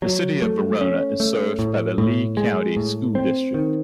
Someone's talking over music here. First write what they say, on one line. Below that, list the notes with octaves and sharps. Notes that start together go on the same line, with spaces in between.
The City of Verona is served by the Lee County School District.
F#3
A3
C#4
A3
A2
A2
G#3
A2
C4
D#3